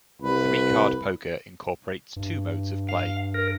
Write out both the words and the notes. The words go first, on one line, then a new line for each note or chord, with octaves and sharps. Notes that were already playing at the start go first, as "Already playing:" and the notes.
Three Card Poker incorporates two modes of play.
C2 B4
G2
F5
A#4